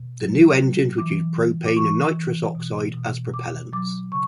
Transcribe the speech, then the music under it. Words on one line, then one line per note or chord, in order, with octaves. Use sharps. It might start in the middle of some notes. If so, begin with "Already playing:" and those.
The new engines would use propane and nitrous oxide as propellants.
Already playing: B2
F#3
F#3
E3 D6
E3
D6
E3 C#6
E3
B2
B2
B2 D6
F#3 D6
C#3 C#6